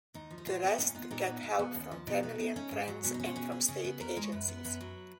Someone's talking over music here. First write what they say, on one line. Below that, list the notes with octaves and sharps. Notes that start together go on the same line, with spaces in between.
The rest get help from family and friends and from state agencies.
D#2 D#4
F3
D#4
A#2 F4
B3
A#2 D#4
C#4
B3 D#4
F4
A#2 D#4
B3
B2
B3
D#2 C#4
F3
B2 D#4
B3
C#3
C#4
G#2
F#3
B2 C#4
D#4
C#4
F4
B2 G#4
C#4
C#3
B3
F2 A#4
G#3
C#5
F#2 B4
B3
F#2 B4
F#3